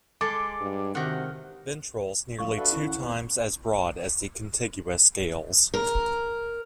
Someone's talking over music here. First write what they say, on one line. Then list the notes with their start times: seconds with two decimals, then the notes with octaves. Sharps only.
Ventrals nearly two times as broad as the contiguous scales.
0.21 G#3 A4 C6 D6
0.61 G2
0.95 C3 D#3 F#4 F#5
2.38 G#2 D3 F3 F5 C#6
2.57 D4 F#4 A4 B4 E5 F#5
2.72 D#3 C#4 E4 C#6
2.87 F#5
3.01 D#3 B3 B4
5.74 A#4